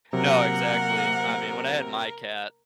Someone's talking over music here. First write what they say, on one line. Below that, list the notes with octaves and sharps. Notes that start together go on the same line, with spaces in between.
No, exactly. I mean, when I had my cat,
C3 F#3 A#3 A#4 F#5